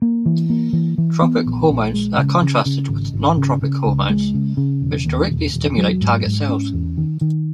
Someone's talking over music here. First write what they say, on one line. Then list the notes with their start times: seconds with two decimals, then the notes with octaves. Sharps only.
Tropic hormones are contrasted with non-tropic hormones, which directly stimulate target cells.
0.02 A#3
0.26 E3
0.50 A#3
0.73 E3
0.98 E3
1.22 B3
1.46 A#1
1.70 A#1
1.94 G#3
2.18 C#3
2.42 C#3
2.66 C#3
2.89 G#1
3.14 G#1
3.37 C#3
3.62 C#3
3.86 C#2
4.10 G#3
4.34 C#3
4.57 C#3
4.82 E1
5.05 D#2
5.29 E1
5.54 E1
5.78 F#3
6.01 G#2
6.26 G#2
6.49 C#4
6.73 E2
6.97 D#3
7.21 D#3